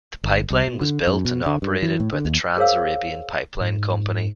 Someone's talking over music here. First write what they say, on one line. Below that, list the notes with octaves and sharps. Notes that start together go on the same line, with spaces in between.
The pipeline was built and operated by the Trans-Arabian Pipeline Company.
G1
C2
B2
D3
F#2
B2
D3
G2
E3
A2
D3
D#2
G#4 A#4 C5 C#5 F5 E6
G#2